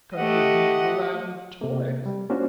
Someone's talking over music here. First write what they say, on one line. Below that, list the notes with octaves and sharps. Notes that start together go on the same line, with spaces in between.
Come with me to the Land of Toys.
A3 G4 D#5 F#5
C3 A#3
G3
A#3 C#4 D4 F4 F#4 C5